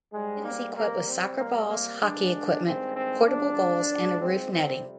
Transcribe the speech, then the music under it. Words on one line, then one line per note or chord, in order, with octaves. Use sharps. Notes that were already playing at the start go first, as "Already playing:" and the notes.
It is equipped with soccer balls, hockey equipment, portable goals, and a roof netting.
G#2 G3 G#3
A#3
C3 G3 A#3
C4
C3 G3 A#3
A#3
G2 D3 G#3 D4
G2 D#3 G#3 C4
C4
C3 F3 G#3 D4
G#2 F3 G#3
C4
F2 C3 G3 C4